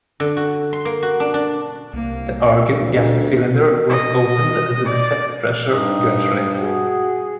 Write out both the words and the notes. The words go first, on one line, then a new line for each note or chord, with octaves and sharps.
The argon gas cylinder was opened to the set pressure gradually.
D3
F#4
C6
A#3
F#4
D4
D4
C2 A#3
D2
D#5
D5
G2 D#4 D#6
F#4 G#4